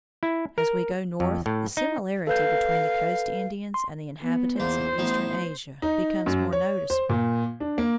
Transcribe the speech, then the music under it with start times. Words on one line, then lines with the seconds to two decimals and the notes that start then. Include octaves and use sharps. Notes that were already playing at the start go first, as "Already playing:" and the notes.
As we go north the similarity between the coast Indians and the inhabitants of eastern Asia becomes more noticeable.
0.23 E4
0.58 A#4
1.20 F2
1.46 A2
1.77 D#4
2.27 A4 B4 F5 G6
3.74 C6
4.22 B3
4.60 E2 A#3 C5
4.98 A1 B3 A#5
5.82 D#4
6.26 F#2
6.53 C#5
6.90 C5
7.09 A#2
7.60 D4
7.78 A#3